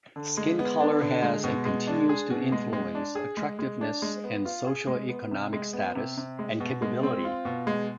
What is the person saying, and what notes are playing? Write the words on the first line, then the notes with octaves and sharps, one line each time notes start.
Skin color has and continues to influence attractiveness and socioeconomic status and capability.
D3
G#3
B3
D4
D3
G#3
B2
G#3
D4
G#4
B2
G#3
G#3
D4
G#4
G#3
G#3
D4
G#3
B3
F4
G#4
G#3
B3
C3
G#3
B3
C3
C3
G#3
B2
G#3
C4
F4
B2
G#3